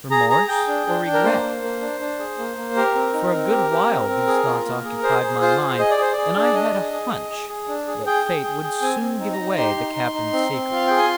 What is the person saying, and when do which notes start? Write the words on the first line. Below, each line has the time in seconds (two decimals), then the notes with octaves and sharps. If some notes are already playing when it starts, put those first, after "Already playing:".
Remorse or regret? For a good while these thoughts occupied my mind, and I had a hunch that fate would soon give away the captain's secrets.
0.11 G#4 A#5
0.29 G#4 A#5
0.48 G#4 G5
0.68 D4
0.87 D4
1.05 D4
1.13 A#4
1.24 A#3 C5
1.43 A#3
1.62 A#3
1.81 D4
2.00 D4
2.19 G#4
2.38 A#3
2.57 A#3
2.76 G4 A#4
2.95 C4
3.14 D#4
3.33 C4
3.51 G4
3.71 G4
3.90 C4
4.08 C4
4.27 G#4
4.46 F4
4.66 A#3
4.85 G#4
5.03 G#4 C5
5.22 G#4
5.41 F4 C5
5.60 G#4
5.79 G#4 D#5
5.90 D5
5.98 G#4 C5
6.12 G#4 D5
6.36 D4
6.43 D5
6.54 D4 D#5
6.74 G#4
6.92 G#4
7.11 G#4
7.30 G#4
7.49 G#4
7.68 D4
7.87 G#4
8.06 G#4 G5
8.25 G#4
8.43 G#4
8.63 G#4
8.82 C4 G#5
9.01 C4
9.20 D#4
9.33 A#5
9.39 D#4
9.57 G4 C6
9.77 D#4
9.95 D#4
10.14 D#4
10.33 C4
10.52 C4
10.71 F4 F5
10.87 G#4 G5
10.98 G#5